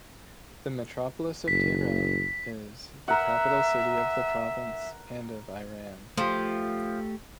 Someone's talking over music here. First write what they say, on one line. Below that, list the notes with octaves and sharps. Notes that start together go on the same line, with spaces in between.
The metropolis of Tehran is the capital city of the province and of Iran.
F#1 B6
A#4 E5 F#5
F3 A3 G4